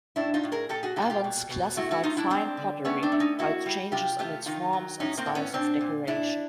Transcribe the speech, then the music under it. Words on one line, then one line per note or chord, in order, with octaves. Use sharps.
Evans classified fine pottery by the changes in its forms and styles of decoration.
A2 D4 E4
D#4 F4
A2
G#4 A#4
A#2 G4 A4
F#4 G#4
A#2 F4 G4
F4 G4
B2
B2
A3 E4 F#4
E4 F#4
A3 D#4 F4
D4 E4
G#3 C4 D4
D3
A3 B3 C#4
C4 D4
A3
C#4 D#4
A#3 E4 F#4
G3
C3 F4 G4
A3 F4 G4
D#3 D#4 F4
F#3
A2 C#4 D#4
A#3 C4
A2
B3 C#4
A#2 C4 D4
A#2
A#2 D4 E4